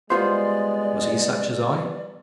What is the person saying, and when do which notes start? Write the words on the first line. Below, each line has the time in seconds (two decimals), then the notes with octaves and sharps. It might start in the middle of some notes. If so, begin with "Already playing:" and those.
Was he such as I?
0.10 G3 G#3 B3 F4 C5 D5